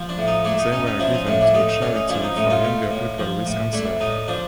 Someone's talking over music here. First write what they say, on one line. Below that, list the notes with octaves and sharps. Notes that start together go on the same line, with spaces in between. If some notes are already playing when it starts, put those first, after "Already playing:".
They were given to a charity for younger people with cancer.
Already playing: F3
D4
A2
D#4
A3 D4 E4
D#4
C#4 D#4
D#4
F3 D4 E4
D#4
A2 D4
D4 E4
A3 D#4
D#4
C#4 D4
D#4
F3 D4 E4
D#4
A2 D#4
D#4 F4
A3
A2
F3
A2
A3 D4 E4
A2 D#4
F3 D4